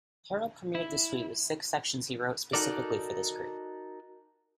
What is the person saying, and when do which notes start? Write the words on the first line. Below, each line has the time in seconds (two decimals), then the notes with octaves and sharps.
Harrell premiered the suite with six sections he wrote specifically for this group.
0.75 E4
2.53 D#4 F#4 A4 A#4 D5